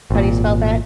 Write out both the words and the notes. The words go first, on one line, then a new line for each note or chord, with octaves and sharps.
How do you spell that?
G#1 A#2